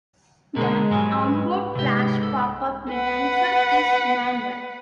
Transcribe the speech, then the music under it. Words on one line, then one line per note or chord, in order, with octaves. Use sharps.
The onboard flash popup mechanism is manual.
B2 D3 G#3 A#4
G#2 F#3 G3 G#5
B4
G#2 C3 G4
A4
B4 F#5